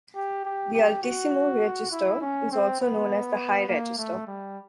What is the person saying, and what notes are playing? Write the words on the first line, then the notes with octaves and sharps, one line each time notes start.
The altissimo register is also known as the "high register".
G4
G4
G4
F#4
E4
C#4
C4
B3
A#3
A3
G3